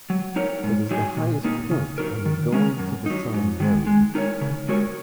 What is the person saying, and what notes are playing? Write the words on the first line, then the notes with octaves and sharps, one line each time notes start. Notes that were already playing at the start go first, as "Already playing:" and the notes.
It is the highest point on the Going-to-the-Sun Road.
F#3
D#4 A#4 C#5
G#2
F#3 D#4 G#4
A#2
A#3 D#4
C#3
F#3 D#4 A#4
D#3
G#3 C#4 A#4
F#2
F#3 D#4
G#2
D#3 G#3
G#3
D#4 A#4 C#5
C#3
G#3 F#4 A#4 C#5